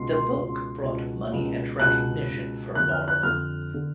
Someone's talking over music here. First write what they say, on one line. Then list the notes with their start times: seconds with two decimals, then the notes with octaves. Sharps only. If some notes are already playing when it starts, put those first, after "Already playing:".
The book brought money and recognition for Borrow.
Already playing: C#2 B2 C6
0.35 C#2 B2
0.83 C#2 B2
1.32 C#2 B2
1.79 C#2 B2 F#6
2.27 C#2 B2
2.75 F2 D3 F#6
2.92 F6
3.08 F#6
3.23 F2 D3 F6
3.74 D3